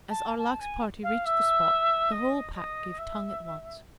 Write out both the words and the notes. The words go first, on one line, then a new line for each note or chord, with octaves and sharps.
As Arlac's party reached the spot, the whole pack gave tongue at once.
A5
A5
G#5
F5
E5
D#5
D#5
E5